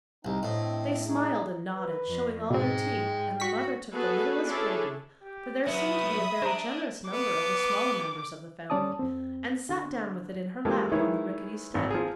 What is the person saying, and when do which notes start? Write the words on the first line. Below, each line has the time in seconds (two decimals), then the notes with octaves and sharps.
They smiled and nodded, showing all their teeth, and the mother took the littlest baby, for there seemed to be a very generous number of the smaller members of the family, and sat down with it in her lap on the rickety step.
0.25 C2 C4 D#4
0.43 A2 D3 C4 D#5
1.06 D#4 G#4
1.75 B4
2.08 F2
2.50 G#2 B2 G#3 C4 G5
3.40 F#4 C#6 B6
3.93 B3 F#4 G#4 A4 B4
4.46 C#4 D4 E4 G#4 A4
5.23 G4
5.67 F#3 B3 E5 B5 D#6
6.42 D4 C5 A#5
7.10 B3 D6
8.70 G3 C#4 D5 A5 D#6
8.99 F2 C4
9.69 D3
10.65 F3 G#3 A#3 D4 G4 A4
10.92 D#3 E3 G#3 E4 C#5
11.74 G#1
11.90 F3 G#4